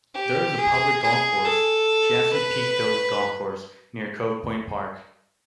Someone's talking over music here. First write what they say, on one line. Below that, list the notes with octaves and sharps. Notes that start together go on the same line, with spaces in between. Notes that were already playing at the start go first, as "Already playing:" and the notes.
There is a public golf course, Chesapeake Hills Golf Course, near Cove Point Park.
G4
G#4
G#4
A4
B4